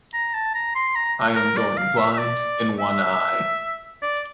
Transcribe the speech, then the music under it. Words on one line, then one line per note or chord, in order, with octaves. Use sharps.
I am going blind in one eye.
A#5
A5
A#5
C6
A#5
A#4
D5
F5
E5
E5
D5
E5
D5